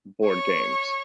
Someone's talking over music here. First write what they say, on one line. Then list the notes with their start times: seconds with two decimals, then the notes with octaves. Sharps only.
board games.
0.24 C#5